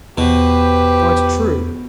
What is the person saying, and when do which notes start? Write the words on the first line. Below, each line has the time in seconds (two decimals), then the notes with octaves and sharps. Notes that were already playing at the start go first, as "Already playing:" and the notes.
Quite true!
0.18 E2 B2 G4 B4 C5